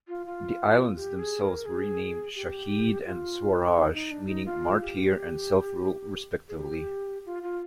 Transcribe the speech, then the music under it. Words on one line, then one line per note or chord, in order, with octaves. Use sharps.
The islands themselves were renamed "Shaheed" and "Swaraj", meaning "martyr" and "self-rule" respectively.
F4
F4
G4
G#4
A#4
G#4
G4
F4
D#4
D#4
D4
D#4
F4
G4
G#4
G4
F4
F4